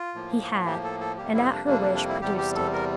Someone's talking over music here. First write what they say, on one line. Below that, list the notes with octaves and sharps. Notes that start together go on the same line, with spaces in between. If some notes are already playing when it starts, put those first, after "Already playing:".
He had, and at her wish produced it.
Already playing: F4
A2 F3 A#3
G4
A4
A4
F2 C3 G3 A#3 G4
E4
D4
D4
D4
D4
E4
E2 C3 G3 G4
G4
A4
A#4